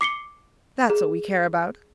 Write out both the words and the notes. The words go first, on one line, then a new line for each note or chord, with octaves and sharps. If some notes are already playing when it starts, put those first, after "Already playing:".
That's what we care about.
D6 C7 C#7 G7
G#4